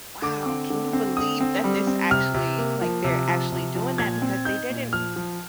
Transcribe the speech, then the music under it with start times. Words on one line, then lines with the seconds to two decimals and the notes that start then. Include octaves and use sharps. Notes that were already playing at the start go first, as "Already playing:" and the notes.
"Wow, can you believe that this actually, like, they're actually doing that because they didn't
0.22 D3 D6
0.46 C4
0.70 D3
0.93 C4
1.17 D3 D#6
1.41 C4
1.64 G3
1.87 C4
2.11 C3 F6
2.34 C3
2.58 A#3
2.81 F3
3.04 C3
3.28 F3
3.52 C3
3.75 F3
3.98 A#2 G#6
4.22 C4
4.45 D#4 G6
4.70 A#2
4.93 F3 F6
5.16 F3